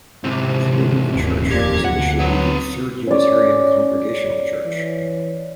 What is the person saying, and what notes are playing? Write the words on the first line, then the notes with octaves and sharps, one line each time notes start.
The name of the church was initially the Third Unitarian Congregational Church.
G#2 C3 E3
D#1
F2 A#2 G4 G#6
D2 F#5
F#3 C4 B4
C#4 C#5 D5
E3